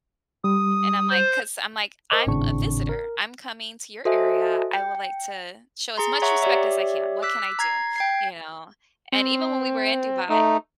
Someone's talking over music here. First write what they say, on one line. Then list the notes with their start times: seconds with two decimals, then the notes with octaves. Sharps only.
and I'm like, 'cause I'm like, "I'm a visitor, I'm coming to your area, I would like to show as much respect as I can, what can I do?" You know? And even when we were in Dubai
0.44 G3 D#6
1.10 C5
2.11 A#4 C5 D#5 D6
2.27 G#1 A2 C#3 C4 D4 C#6
2.89 A#4
4.05 F#4 A4 C5 D#5 E5 G#5
4.73 G5
4.95 G5
5.97 G#4 A#5 C6
6.22 C#5 E5 F#5 A#5 C#6
6.43 G4 C#5 D5 E5
7.22 D6 E6 F#6 B6
7.59 A#5 G#6 C7
7.96 G5 G#6 C7
9.12 C4
10.29 A3 D#4